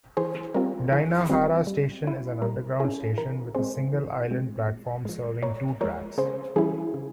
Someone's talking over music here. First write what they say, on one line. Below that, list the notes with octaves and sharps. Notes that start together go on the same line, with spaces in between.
Dainohara Station is an underground station with a single island platform serving two tracks.
E3 G#4 C5
G3 C4 F4 A#4
E3 G#4
G3 C4 F4
G3
C#4 E4
G3 A#4
C#4 E4 G#4
E3 A#4
G#3 C4 G#4 C5
E3
G#3 C4
A#2
F3 G#3
A#2 A#4 C#5
F3 G#3 A#4 C#5
C#3 G#4 C5
E3 G3 C#4 E4 G#4
C#3